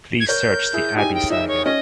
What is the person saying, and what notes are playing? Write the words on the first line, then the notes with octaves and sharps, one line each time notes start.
Please search the Abby saga.
G#6
A#4 C#5 G6
A#4 C#5
E4 G#4
D#4 G4 G#5
G5
D#4 E5
C#5
C#4 D#5